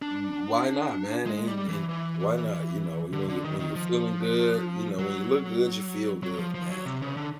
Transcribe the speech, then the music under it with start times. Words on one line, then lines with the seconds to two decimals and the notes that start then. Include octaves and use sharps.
Mm. Why not, man? And and why not? You know, when you when you feeling good, you know, when you look good, you feel good, man. So,
0.02 D4
1.26 G#3
1.47 G3
1.68 E3
1.89 E3
3.13 D3
3.29 D3
3.44 D#3
3.59 D#3
3.76 F3
4.99 F#3
6.24 F#3
6.39 F3
6.54 F3
6.70 F#3
6.85 C3
7.02 C#3
7.17 D3